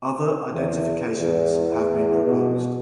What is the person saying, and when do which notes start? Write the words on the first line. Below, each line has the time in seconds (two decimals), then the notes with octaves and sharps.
Other identifications have been proposed.
0.53 E2
1.19 E2
2.26 B2